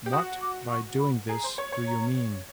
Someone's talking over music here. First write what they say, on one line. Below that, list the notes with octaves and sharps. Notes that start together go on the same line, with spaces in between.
What by doing this do you mean?
G4
F#4 D#6
D6
C#6
B5
G#4 A#5
C5
C#5
C#5
A#5